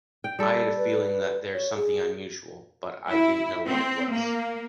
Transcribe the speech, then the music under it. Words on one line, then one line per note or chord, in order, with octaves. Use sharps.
I had a feeling that there’s something unusual, but I didn’t know what it was.
G5
G3 A4
B4
C#5
G#4
E4
C4
A#3